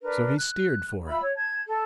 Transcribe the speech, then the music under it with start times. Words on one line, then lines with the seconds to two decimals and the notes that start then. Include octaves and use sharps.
So he steered for it.
0.01 D4 A#4 B4
0.36 F#6
1.07 F4 E5 B5 E6
1.21 C#5
1.35 A5 G#6
1.67 A4